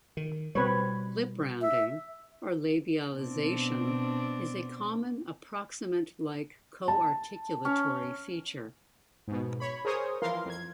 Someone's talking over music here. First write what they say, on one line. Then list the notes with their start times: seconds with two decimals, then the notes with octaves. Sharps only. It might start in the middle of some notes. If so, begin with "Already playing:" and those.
Lip rounding, or labialization, is a common approximant-like co-articulatory feature.
0.17 D#3
0.55 B2 G3 C4 B4 C#5
1.62 E5
3.16 B2 C4 D4
6.88 A5
7.65 C#4
9.28 G#2 B2
9.60 C#5 B5
9.85 G#4 A#4 C5 C#5 D#6
10.22 E3 F3 A#4 F5 C6
10.45 F2 G#6